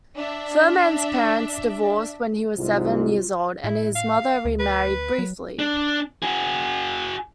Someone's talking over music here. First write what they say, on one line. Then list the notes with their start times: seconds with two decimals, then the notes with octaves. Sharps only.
Fuhrman's parents divorced when he was seven years old, and his mother remarried briefly.
0.18 D4 E5
2.56 C2 G#2 F4
3.64 A2 E4
3.95 F5
4.45 D2
4.59 B4
5.19 F#3
5.59 D4
6.23 F#4 G#4